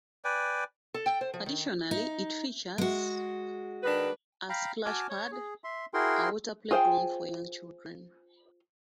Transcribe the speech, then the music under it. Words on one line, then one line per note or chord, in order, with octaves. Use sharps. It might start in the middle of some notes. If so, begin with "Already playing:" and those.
Additionally it features a "splash pad", a water playground for young children.
B4 D5 G5 G#5
A4
G5
C5
F3
D#3
D#4
G#3 F#4
D#3 D4 B4
F5 G5 A#5 B5
F#4 G#5 A5 D6 F6
C#5
G#4
E5 C6
E4 F#4 G#4 A#4 G5 C6
F4 G#4 C5 F5 G5